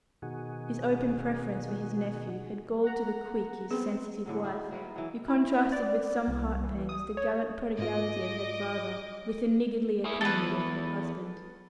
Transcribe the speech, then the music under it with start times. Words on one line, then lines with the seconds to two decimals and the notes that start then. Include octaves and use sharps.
His open preference for his nephew had galled to the quick his sensitive wife, who contrasted with some heart-pangs the gallant prodigality of her father with the niggardly economy of her husband.
0.22 B2 D#3 F#4 G#4
2.84 F#5 A#5
3.71 B3 C4 G#4
4.26 A2 D3 F#3
4.44 D#4 E4 F#4 G#4
4.71 F#3 A#3 B4 C#5
4.96 E3 F#3
5.28 E4
5.72 D5
6.27 C2
6.64 E3
6.89 D#6
7.17 C#5
7.79 G#2 F4 D#5 D6
10.05 E4 G#4
10.21 E2 A4 B4